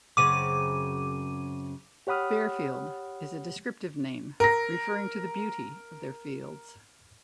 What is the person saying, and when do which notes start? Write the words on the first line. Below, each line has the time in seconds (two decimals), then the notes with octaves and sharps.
Fairfield is a descriptive name referring to the beauty of their fields.
0.17 F#2 C#3 C4 D6 D#7
2.07 G4 C#5 F#5 B5 D#6 F6
4.40 A#4 A#6